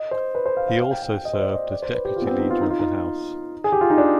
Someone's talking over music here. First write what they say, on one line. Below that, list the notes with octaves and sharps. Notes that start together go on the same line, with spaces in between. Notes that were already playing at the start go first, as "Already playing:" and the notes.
He also served as deputy Leader of the House.
Already playing: D#5
C5
B4
C5
F5
F5
F5
G5
G5
G5
D#5
C5
D5
D#5
D5
C5
B4
G4
F4
B3
C4
D#4
F4
D#4
F4
D#4
G#4
G4
F4
D#4
D4